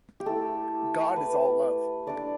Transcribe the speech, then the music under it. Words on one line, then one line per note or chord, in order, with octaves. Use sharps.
God is all love.
G4
A3 E4 A4
B4
A3 D4 D5